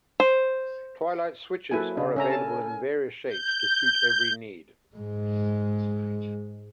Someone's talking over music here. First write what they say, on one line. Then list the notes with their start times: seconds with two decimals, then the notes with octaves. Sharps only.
Twilight switches are available in various shapes to suit every need.
0.20 C5
1.71 F#3 A#3 E4 A4 B4 G#5
1.97 C#3 D4 F5
2.16 C#4 A4 A#4 E5 G#5 A#5
2.30 A5
3.28 G6
4.96 G#2 G#3